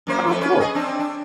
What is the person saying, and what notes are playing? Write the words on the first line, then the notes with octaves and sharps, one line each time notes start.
Oh, cool.
F#2 A#3 C5
F2 A3 B4
C#4 B4
G#4 D#5
C4 D4
D4